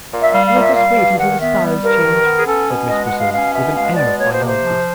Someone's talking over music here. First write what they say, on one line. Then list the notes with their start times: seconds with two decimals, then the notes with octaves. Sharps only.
"We will just wait until the styles change," said Miss Priscilla, with an air of finality.
0.12 A#2
0.22 E5
0.33 G3 F5
0.47 F5
0.54 A#2
0.61 E5
0.75 G3 F5
0.97 G2
1.19 D#3 F#5
1.40 B3 E5
1.61 G3
1.83 G2 A#4
2.04 D#3
2.26 B3
2.38 G#4
2.47 C#4 A4
2.69 B2
2.90 G#3 D#5
3.05 F#5
3.12 B2
3.19 F5
3.34 C#4 F5
3.54 B2 E5
3.76 G#3 F5
3.97 B2 D5
4.19 A#3 C#5
4.34 C5
4.40 C3
4.47 C5
4.62 F3